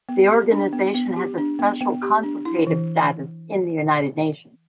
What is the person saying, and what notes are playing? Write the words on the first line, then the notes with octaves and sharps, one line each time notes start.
The organization has a special consultative status in the United Nations.
B3
G4
D4
B3
B3
G4
D4
B3
B3
G4
D4
E4
E3